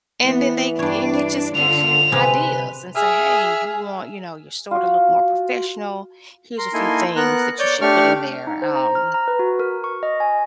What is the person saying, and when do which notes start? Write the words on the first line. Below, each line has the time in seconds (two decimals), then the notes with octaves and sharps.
And then they and it just gives you ideas and say, "Hey, if you want, you know, your store to look more professional, here's a few things that you should put in there. Um,
0.23 E3 B3
0.79 G2 D4 C#5 D5
1.55 D3 F4 F7
2.12 C3 G#4 B4 C5 F5
2.95 G#4 E5 E6 F6
4.71 F4 F#4
6.58 A#4 C6
6.74 A#3 D#4 E4 A4 G#5 C6
7.16 B3 A#4 F#6
7.59 C#5 D5 G6
7.81 A3 D4 G4 C#6 F6
8.47 D#4
8.62 C5
8.76 A#5
8.95 F6
9.14 A#5
9.28 B4
9.39 F#4
9.60 A#4
9.84 C#6
10.03 D#5
10.20 G#5